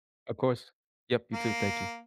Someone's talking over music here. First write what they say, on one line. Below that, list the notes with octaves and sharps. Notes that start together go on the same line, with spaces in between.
Of course. Yup, you too, thank you.
A#3